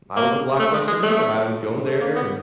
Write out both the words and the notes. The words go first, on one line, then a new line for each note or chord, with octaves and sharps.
I was a Blockbuster member, I would go there, and
A#3
A3
G#3
G#3
A3
A3
A#3
B3